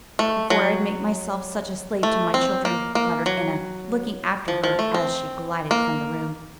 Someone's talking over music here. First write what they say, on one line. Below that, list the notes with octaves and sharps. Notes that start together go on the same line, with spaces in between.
"Before I'd make myself such a slave to my children!" muttered Enna, looking after her as she glided from the room.
A3
F#3
A3
C4
A#3
A#3
F#3
F3
F3
A3
C4
A#3